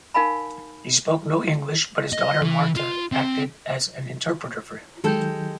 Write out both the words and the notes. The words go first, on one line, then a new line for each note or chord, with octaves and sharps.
He spoke no English, but his daughter Marta acted as an interpreter for him.
D#4 A#4 F5 G#5 B5
D#5
E3
F4
C4
D#3 F#3 G#3 G4 A4 G6